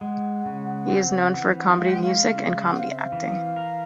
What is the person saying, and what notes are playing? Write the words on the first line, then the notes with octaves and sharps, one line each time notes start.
He is known for comedy music and comedy acting.
G#3 F#5
C#3
C4
E3
G#3 F5
F#5
F5
C#3
C4 F#5
F5
E5
F5
E3
A#4